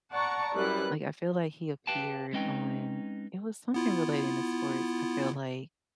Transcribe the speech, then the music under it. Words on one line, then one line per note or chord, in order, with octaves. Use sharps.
Like, I feel like, he appeared on it was something relating to sports, I feel like
D5 F#5 A5 A#5 C#6
F#2 G3 E4 B4 F#6
G4 B4 F5 G5 A5
G#3 C4 C#4 D#4 B4 G5
B3 E4 F4